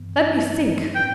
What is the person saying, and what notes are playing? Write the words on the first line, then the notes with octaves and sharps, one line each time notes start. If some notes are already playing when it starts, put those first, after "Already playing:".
"Let me think."
Already playing: G2 E3 B3
A2 G3 C4 E4 B4 G5